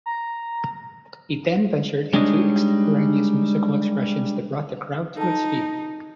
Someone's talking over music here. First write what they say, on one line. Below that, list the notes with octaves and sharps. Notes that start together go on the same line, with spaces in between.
He then ventured into extemporaneous musical expressions that brought the crowd to its feet.
A#5
G3 G#3 D4 D#4 C#5 D#5
D#4 A4 A5